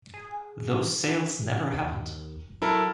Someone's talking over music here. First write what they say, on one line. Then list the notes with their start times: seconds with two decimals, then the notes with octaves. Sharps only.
Those sales never happened.
0.14 G#4
1.74 D#2
2.62 F#3 E4 A4 A#4